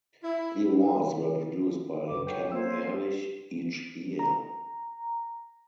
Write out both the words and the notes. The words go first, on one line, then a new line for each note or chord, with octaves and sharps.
The awards were produced by Ken Ehrlich each year.
E4
C#2 F#2 B4 D6
C#5 F#5 G5
A#3 F4 C5 C#5 E6
A#5